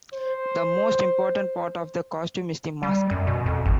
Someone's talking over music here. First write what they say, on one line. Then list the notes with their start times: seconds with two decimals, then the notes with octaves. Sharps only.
The most important part of the costume is the mask.
0.14 C5
2.83 G3
3.11 F#2
3.27 B2
3.46 F2
3.66 G#1